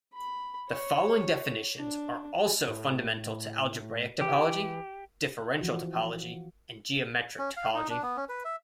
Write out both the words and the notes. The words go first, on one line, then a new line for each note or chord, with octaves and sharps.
The following definitions are also fundamental to algebraic topology, differential topology and geometric topology.
B5
C#5
D4
A2
E3 G4
E3 F3 F#4
C#4
F5
D#4
D4
B3
C#4
B4
E5